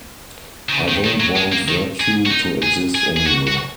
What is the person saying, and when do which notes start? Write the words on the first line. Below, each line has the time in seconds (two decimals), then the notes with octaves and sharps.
I don't want virtue to exist anywhere.
0.69 D#3
0.72 C#3
0.88 D#3
1.05 D#3
1.20 F#3
1.36 G#3
1.52 A#3
1.68 D#3
2.00 G#4
2.26 F#4
2.31 D#4
2.63 G#4
2.95 G#4
3.17 G#4
3.27 F#4
3.47 F#4